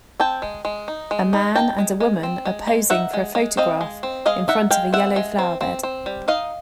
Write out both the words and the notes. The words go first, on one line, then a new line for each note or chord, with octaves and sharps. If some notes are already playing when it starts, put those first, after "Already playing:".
A man and a woman are posing for a photograph in front of a yellow flowerbed.
C4 G5 A5
G#3
G#3
D#4
G#3
D#4
D#4 G5 A5
G#3
G#3
C4
G#3
G#3
D#4 E5 F#5
G#3
G#3
C4 D#5 F5
G#3
C4
G#3 D#5 F5
D#4 E5 F#5
G#3 F5 G5
C4 E5 F#5
G#3
C4
C4
C4
G3
D#4 D#5 F5